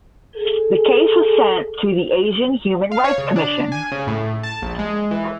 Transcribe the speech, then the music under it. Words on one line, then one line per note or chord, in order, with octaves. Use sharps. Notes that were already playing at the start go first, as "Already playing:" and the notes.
The case was sent to the Asian Human Rights Commission.
G#4 A4
F5
C#5
C#3
D4
G#5
C#3
A2
A5
A#1
G#3
E3